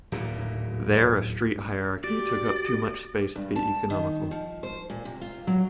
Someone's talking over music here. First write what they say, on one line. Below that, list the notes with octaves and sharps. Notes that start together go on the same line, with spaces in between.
There a street hierarchy took up too much space to be economical.
D1 D#2 A#2
F#4 G4 D5
G2
A5
D#3
F3
C5
A#2
C3
F4
F#3